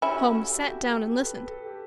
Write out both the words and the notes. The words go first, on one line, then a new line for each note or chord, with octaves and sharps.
Holmes sat down and listened.
C#4 E4 G4
F#4
G4
A4
F#4
G4
A4
B4
A4
G4